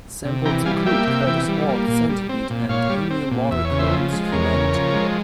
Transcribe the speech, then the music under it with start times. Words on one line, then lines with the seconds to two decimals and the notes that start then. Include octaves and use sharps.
Samples include Curtis Hoard's "Centipede" and Ennio Morricone's "Humanity".
0.25 C3
0.46 E3 G5 A#5
0.66 G3 F5 G#5
0.86 A#3 E5 G5
1.07 C3
1.27 E3
1.48 G3
1.69 A#3
1.88 A#2
2.09 G3
2.29 C4
2.50 A#2
2.69 A#2 C#5 F5
2.90 G3
3.11 C4
3.31 A#2
3.51 E2 E5
3.65 C#5
3.71 C#3
3.79 C5 E5
3.92 F3
4.13 G#3
4.32 E2 A#4 C#5
4.53 C#3
4.74 F3
4.94 G#3